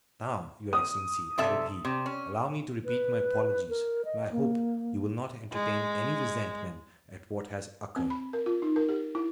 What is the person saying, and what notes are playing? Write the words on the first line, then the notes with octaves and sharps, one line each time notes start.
"And now, your excellency," added he, "allow me to repeat my apologies, and I hope you will not entertain any resentment at what has occurred."
D#6
C3 A4 E5
C3
C#4
B4
A#4
D#5
A#3
G#3
C4
B5
A#4
F4
D#4
A#4
G4
E4